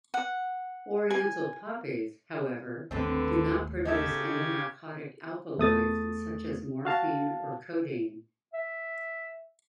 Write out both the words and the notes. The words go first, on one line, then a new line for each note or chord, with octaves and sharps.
Oriental poppies, however, do not produce any narcotic alkaloids such as morphine or codeine.
F#5
G#5
G1 D#2 A2 D3 C4 A4 B4
C#3 D#4 G4 A4 E5 G#6
E2 A3 D#6 A6
F#4 F5 A5
E5